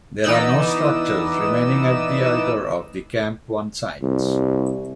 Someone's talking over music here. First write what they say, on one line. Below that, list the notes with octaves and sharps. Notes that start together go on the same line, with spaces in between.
There are no structures remaining at either of the Camp One sites.
E3 B3 D#4 D5 D#5 E6
C2